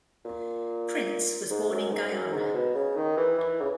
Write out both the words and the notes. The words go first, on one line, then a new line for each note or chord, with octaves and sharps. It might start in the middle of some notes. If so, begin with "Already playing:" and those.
Prince was born in Guyana.
A#2
G#2
F#2
G#2
F#2
G#2
B2
C#3
D#3
E3
E3
C#3